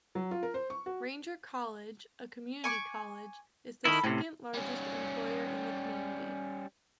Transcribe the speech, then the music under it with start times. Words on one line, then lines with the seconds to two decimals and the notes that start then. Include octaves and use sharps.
Ranger College, a community college, is the second largest employer in the community.
0.15 F#3
0.31 F4
0.43 A#4
0.54 C5
0.70 C#6
0.86 F#4
2.64 G#5 C#6 D6
3.85 D#3 E4 A4 B5
4.04 A2 C3 C#4
4.54 G3 C#4